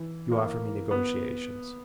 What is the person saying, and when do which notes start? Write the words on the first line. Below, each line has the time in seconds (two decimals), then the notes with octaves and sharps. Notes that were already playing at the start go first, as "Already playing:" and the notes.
You offer me negotiations!
Already playing: E3
0.31 A#3
0.91 B3